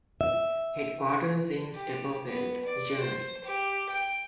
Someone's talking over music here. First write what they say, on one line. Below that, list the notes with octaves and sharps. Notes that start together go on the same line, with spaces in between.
Headquarters in Stapelfeld, Germany.
E5
G4
B3
D5
C5
G4
G5